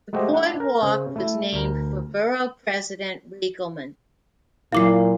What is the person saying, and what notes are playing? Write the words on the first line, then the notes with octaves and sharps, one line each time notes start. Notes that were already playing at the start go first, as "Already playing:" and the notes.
The boardwalk was named for Borough President Riegelmann.
G#3 A3 F#4 G4 C5 D#5
D4 F#5
A#4
C#3 C#4 C5
A3 E4
D2 A#4
A#2 F#3 E4 F4 F5 D6 C7